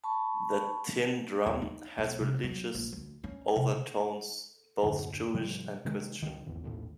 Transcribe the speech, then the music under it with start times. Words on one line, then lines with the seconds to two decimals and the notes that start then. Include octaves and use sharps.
"The Tin Drum" has religious overtones, both Jewish and Christian.
0.04 A5 B5 C#6
1.46 D#2
1.62 D#4
1.98 B1
2.20 C3
2.44 F#3
2.74 A#1
2.93 D2
3.24 C#4
3.56 C3
4.82 D#1 F#2 A2 D3
5.34 G#2 C3 F3 G3
5.85 C3 D#3 G#3
6.22 C#2 D#3
6.46 G#1 E2
6.64 A#1 D#2 A2